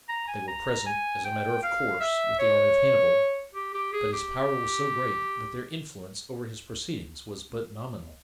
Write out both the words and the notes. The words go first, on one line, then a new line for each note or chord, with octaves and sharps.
They were present, as a matter of course, with the army of Hannibal, but his power was so great that their influence over his proceedings was but nominal.
A#5
G#5
A#5
G#5
G5
F5
E5
C#5
G4
G4
G#4
G4